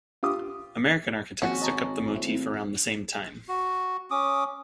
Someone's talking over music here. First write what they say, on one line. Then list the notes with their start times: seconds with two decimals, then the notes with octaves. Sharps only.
American architects took up the motif around the same time.
0.23 F4 G4 D6 D#6
1.42 G#1 F3 A#3 C#4 F#4
1.62 D#5 A5 A#5
2.15 G#1 A3 C4 E4
3.48 F#4
4.11 C#4 D6 D#6